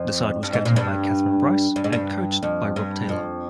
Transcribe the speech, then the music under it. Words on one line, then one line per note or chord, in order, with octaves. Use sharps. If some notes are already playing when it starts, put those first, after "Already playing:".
The side was captained by Kathryn Bryce and coached by Rob Taylor.
Already playing: F2
G2
G#2
A#2
G2
G2
G#2
G2
F2
G2
F2